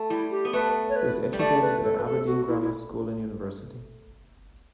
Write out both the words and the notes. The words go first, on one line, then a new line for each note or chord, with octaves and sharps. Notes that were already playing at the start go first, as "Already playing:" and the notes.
He was educated at Aberdeen grammar school and university.
Already playing: A3
G3 E4
G4
B3
A3 B4
C#5
B4
G3
A3 D5
B4
A4
B4
A4
F#4
E4
E4